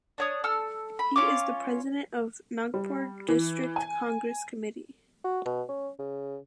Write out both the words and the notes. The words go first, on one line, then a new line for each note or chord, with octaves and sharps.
He is the President of Nagpur District Congress Committee.
D4 C#5 D#6
A4 E6 F6
B5
C#4 F4 C#5 D6
G3
E3
G#5
F#4
B2
C#4
C#3